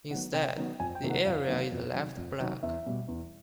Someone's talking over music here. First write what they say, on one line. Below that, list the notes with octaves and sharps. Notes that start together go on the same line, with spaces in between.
Instead, the area is left blank.
D#3 F#3 B3 F#5
C3 G5
D#3 F#3 B3
F2 G#5
G5
C3 D#3 F#3 A#3
F#5
F2 F5
C3 D#3 F#3 A#3
F2
C3 D#3 F#3
F2
C3 D#3 F#3
E2 E5
B2 G3
E2